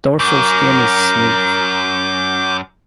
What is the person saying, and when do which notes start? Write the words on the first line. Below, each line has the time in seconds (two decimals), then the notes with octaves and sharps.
Dorsal skin is smooth.
0.19 F#2 A#4 D6 G6